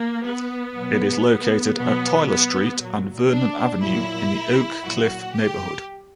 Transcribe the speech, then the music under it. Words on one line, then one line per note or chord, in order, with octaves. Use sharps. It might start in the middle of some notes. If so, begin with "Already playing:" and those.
It is located at Tyler Street and Vernon Avenue in the Oak Cliff neighborhood.
Already playing: A#3
B3
B2 F#3
B2 F#3 B3
B3
A#2 F#3
D4
A#2 F#3 E4
A#2 F#3 F#4
G4